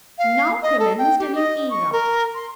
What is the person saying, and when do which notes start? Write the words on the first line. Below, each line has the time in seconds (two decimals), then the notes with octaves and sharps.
Now commenced a new era.
0.18 F5
0.63 D#5
0.79 A4
0.98 G5
1.19 G4
1.35 D#5
1.70 C#6
1.92 A#4
2.35 C6